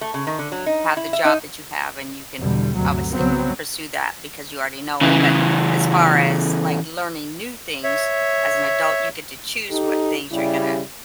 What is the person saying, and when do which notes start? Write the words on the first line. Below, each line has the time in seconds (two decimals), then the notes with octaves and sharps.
have the job that you have, and you can obviously pursue that because you already know it. But as far as, like, learning new things, as an adult, you get to choose what things you're gonna
0.01 A3
0.14 C#3
0.27 D#3
0.39 D3
0.52 F#3
0.66 D#4
0.97 E4
1.13 E5
1.25 D#4
2.39 E2 B2 D3 G3
2.75 D2 G2 C3 F#3
3.12 C2 C#3 F#3 B3 C4
5.01 C#3 E3
7.83 C#5 E5
9.70 D#4 G4 A4
10.32 C#3 G3 E4